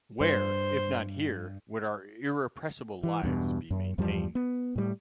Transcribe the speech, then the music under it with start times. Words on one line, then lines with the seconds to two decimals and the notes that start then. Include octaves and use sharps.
Where, if not here, would our irrepressible lives be maintained?
0.21 G2 C5
3.03 E3
3.23 E2 G2 B2
3.70 F#2
3.98 E2 G2 F3 G3
4.35 B3
4.76 A2 G3